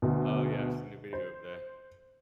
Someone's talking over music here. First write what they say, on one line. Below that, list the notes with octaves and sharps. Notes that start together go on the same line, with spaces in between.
Oh, yeah, I've seen the video of that.
D2 B2
C5